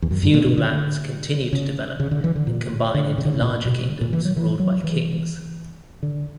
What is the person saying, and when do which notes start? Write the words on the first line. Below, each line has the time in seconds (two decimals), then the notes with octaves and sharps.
Feudal lands continued to develop and combine into larger kingdoms ruled by kings.
0.02 E2
0.11 F#2
0.23 G2
0.34 A#2
0.46 B2
0.58 D3
1.53 C#3
2.00 C#3
2.11 D3
2.24 E3
2.36 D3
2.47 A#2
2.94 D3
3.18 C#3
3.25 D3
3.34 C#3
3.42 A#2
3.66 B2
4.01 A#2
4.13 E3
4.25 F#3
4.37 E3
4.60 F#3
4.84 E3
6.03 D3